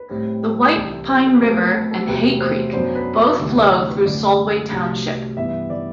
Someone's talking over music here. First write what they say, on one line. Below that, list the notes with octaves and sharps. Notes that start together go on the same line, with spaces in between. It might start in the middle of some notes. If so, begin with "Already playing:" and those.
The White Pine River and Hay Creek both flow through Solway Township.
Already playing: B4
A2 G3 C4
C2 C3 E3 G3 A4
C5
A4
B4
B2 A3 C4 C5
A4
B4
A4
A4
E2 C3 F#3 A3 B4
C5
F#2 F#3 B3 D4 C5
B4
A4
D2 C3 E3
D5
B4
F#2 D3 A3 D5
C2 C3 F#3 A3 D4
G2 E3 B3 E5
D5